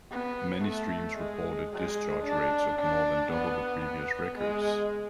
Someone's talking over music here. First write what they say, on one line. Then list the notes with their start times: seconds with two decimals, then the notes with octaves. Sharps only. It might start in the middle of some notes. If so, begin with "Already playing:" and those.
Many streams reported discharge rates of more than double the previous records.
0.11 B3
0.64 A3
1.18 G#3
1.72 G#3
2.24 D4
2.79 D4
3.33 B3
3.85 B3
4.39 G#3